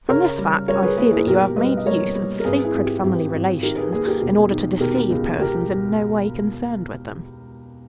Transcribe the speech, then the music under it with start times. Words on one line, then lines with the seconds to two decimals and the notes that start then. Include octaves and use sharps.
From this fact I see that you have made use of sacred family relations in order to deceive persons in no way concerned with them.
0.09 C#3 A#4 C#5
0.38 G3
0.68 G3 A#4 C#5
0.82 G#4 B4
0.97 D#2 G#4 B4
1.12 E4 G#4
1.26 B1 G4 A#4
1.56 G3 B4 D#5
1.77 D#5
1.86 G3 A#4 C#5
2.15 G3
2.40 A#4
2.45 G#1 G#4 B4
2.64 E4 G#4
2.74 G#1
2.84 G4
3.03 G#1 G4
3.34 G#1
3.63 D#3 G4 A#4
3.77 G#4 B4
3.92 D#2 G#4 B4
4.07 G4 A#4
4.21 E1 G4
4.51 D#3
4.80 B2 G4 A#4
5.10 C#2
5.39 B2 G4 A#4